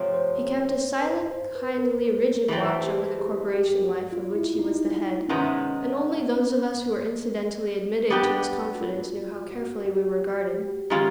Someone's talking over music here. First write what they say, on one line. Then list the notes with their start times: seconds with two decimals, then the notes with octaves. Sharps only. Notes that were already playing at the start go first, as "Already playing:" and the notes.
He kept a silent, kindly, rigid watch over the corporation-life of which he was the head; and only those of us who were incidentally admitted to his confidence knew how carefully we were guarded.
Already playing: C3 F3 A3 C4 C#5
0.14 C5
1.02 B4
1.08 C5
1.31 C5
1.55 B4
1.70 B4
1.78 A#4
2.26 A#4
2.48 E3 A3 C4 G#4
2.84 G4
3.19 G#4
3.54 G4
3.89 F#4
4.12 F4
4.35 E4
4.59 D#4
5.29 C3 D#3 G#3 B3 C#4 D#4
8.10 G3 B3 D4 G4
8.75 F#4
8.81 F4
9.51 F#4
9.85 G4
10.90 D#3 G#3 C#4 F4 G4